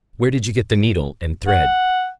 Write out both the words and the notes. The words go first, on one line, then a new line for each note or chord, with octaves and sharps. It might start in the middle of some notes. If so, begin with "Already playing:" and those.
"And where did you get the needle and thread?"
F#5